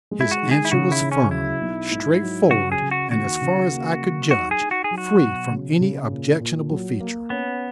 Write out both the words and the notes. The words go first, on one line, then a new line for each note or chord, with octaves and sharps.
His answer was firm, straightforward, and, as far as I could judge, free from any objectionable feature.
G#3
E4
F#4
D#3
G#4
E4
C#3 F#4
E4
C#3
C#4
F#3 E4
B1
G#2
F#3
C#3 F#4
G#4
C#3
F#4
D#2 F#4
C#3
A#3
F#3
D#4 F#4
G#4
D#4
F#4
G#4
F#3
F#4
B2
C#3
C#3
A#2
A#2
F#3
A#3
B3 C#4